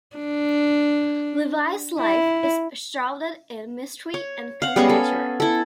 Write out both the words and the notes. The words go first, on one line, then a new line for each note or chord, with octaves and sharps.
Levi's life is shrouded in mystery and conjecture.
D4
E4
C#5
F5 F#5
G3 G#3 B3 C#4
A4
E4 A4